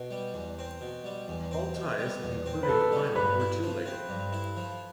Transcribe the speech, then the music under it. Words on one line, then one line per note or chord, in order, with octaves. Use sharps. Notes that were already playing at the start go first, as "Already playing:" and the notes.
All ties, including the final, were two-legged.
Already playing: B2
G3
E2
C4
B2
G3
E2
C4
B2
G3
E2
C4
B4
B2 A4
G3
G2 B4
E4
F3
C4
G2
E4
F3